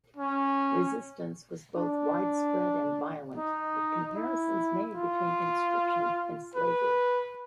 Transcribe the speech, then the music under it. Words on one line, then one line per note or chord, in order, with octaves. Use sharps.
Resistance was both widespread and violent, with comparisons made between conscription and slavery.
C#4
D4
D#4
E4
F4
B4